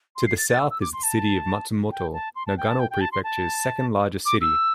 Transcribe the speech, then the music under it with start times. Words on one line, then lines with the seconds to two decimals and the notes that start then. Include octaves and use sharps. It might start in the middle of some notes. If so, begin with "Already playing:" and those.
To the south is the city of Matsumoto, Nagano prefecture's second largest city.
0.16 C6
0.26 C7
0.38 A6
0.49 A6
0.59 E6
0.71 E6
0.81 D6
0.93 C6
1.03 A5
1.92 G5
2.14 A5
2.36 C6
2.47 A5
2.58 G5
2.69 A5
2.79 G5
2.91 G5
3.01 A5
3.12 C6
3.24 A5
4.26 D6
4.41 E6